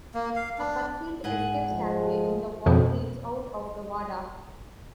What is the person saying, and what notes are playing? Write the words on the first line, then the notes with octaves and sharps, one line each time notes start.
A concealed escape stairway in the wall leads out of the Wada.
A#3
F5
D4
G#2 F#5 G#5
F3 G#3
F2 B2 F3